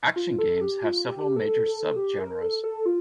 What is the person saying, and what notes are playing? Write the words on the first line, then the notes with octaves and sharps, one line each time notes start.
Action games have several major subgenres.
F4
A4
G4
F4
G4
A4
A4
G4
A#4
A4
A4
F4